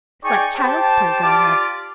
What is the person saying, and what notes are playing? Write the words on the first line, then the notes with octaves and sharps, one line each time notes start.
It's like child's play going up.
D#4 G#4 D5 G5 G#5 C#6
G4 C5 G5 A5
F4 G4 D5 D6